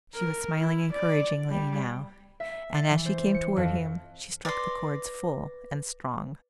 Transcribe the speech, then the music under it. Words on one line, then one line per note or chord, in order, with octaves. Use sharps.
She was smiling encouragingly now, and as she came toward him, she struck the chords full and strong.
A#4
E4
D5
G3
E5
A6
E3
C5
C#7
F2
B4 D5 C6 A#6